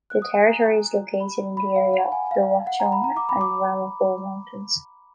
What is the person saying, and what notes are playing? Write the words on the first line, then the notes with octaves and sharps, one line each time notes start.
The territory is located in the area of the Watchung and Ramapo Mountains.
F#6
D#6
G#5
A#5
B5
B5
F5
F#5
G#5
F5
F#5
A#5
B5
A#5
D6
B5
D6